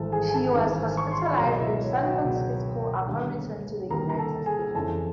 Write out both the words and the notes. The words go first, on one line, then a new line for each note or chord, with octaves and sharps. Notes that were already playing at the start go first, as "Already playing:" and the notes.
She was hospitalized in San Francisco upon return to the United States.
Already playing: G#1 G#2 E3 G3 A4 A5
G#4 G#5
G#5
A4 A5
G#1 G#2 E3 G3
C#6
C6
B5
C#2 B2 F#3 A#4 A#5
D#5
E4 E5
C#5
G5
F#4 F#5
C#2 B2 F#3
D#2 D3 G3
D#2 D3 G3 A#4 A#5
A#5
A4 A5
G#4 G#5
F2 C#3 E3 A4 A5